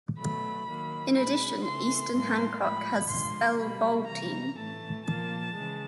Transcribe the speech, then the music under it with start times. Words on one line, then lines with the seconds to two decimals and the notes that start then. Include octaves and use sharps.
In addition, Eastern Hancock has a Spell Bowl team.
0.18 B2 F#3 A3 B5
0.66 D#3 F#3 A#3
1.15 B2 G#3 B5
1.63 C#3 E3 A3 C6
2.13 A2 E3 G3 A#3
2.61 A2 F3 G#3 B5
3.09 D3 F3 G#3 C6
3.59 B2 G3 A#3 B5
4.07 C3 E3 G3 A#5
4.56 A2 E3 A3 A5
5.05 A#2 F3 A#3 A5
5.54 C#3 E3 G#3